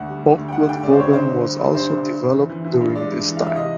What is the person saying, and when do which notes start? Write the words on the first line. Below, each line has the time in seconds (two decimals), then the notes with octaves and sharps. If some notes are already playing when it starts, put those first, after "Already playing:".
Oakwood-Vaughan was also developed during this time.
Already playing: D2 F#5
0.08 G3
0.23 G3
0.38 D2
0.48 G5
0.53 G3 F#5
0.68 D3 G5
0.83 D2 D5
0.93 C5
0.99 D2 C#5
1.13 G2 C5
1.29 G2
1.43 G3
1.59 G2
1.74 G2 C5
1.89 G2
2.04 G2
2.20 G2
2.35 E3
2.50 E3
2.65 E3
2.81 G2
2.95 G#3 D5
3.11 G2
3.25 E3
3.37 E3 F5
3.47 E5
3.56 C3 D#5